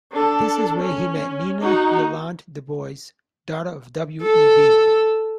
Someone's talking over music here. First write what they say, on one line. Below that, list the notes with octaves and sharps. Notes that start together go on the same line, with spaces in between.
This is where he met Nina Yolande Du Bois, daughter of W. E. B.
D4 A4
C#4
D#4 F#4
A4